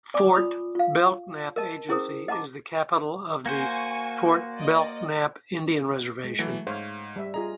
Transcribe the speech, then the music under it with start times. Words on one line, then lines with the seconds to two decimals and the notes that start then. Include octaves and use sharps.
Fort Belknap Agency is the capital of the Fort Belknap Indian Reservation.
0.14 D5 G#5 D6
0.33 F4 B5 D#6
0.75 F4 F5
1.56 A#4 D#5 A5
1.89 C#4 E4 G#4 A#4 C5 D#6
2.28 D#5 F#5 A5 A#5 D6
3.46 A#3 F#4 C5 G#5 C#6
4.54 D5 D#5
6.24 G#3
6.39 E3 F#3 A3
6.67 G#2 C5 C#5 F5
7.16 G3 E5
7.34 F4 G#4 D#5 A#5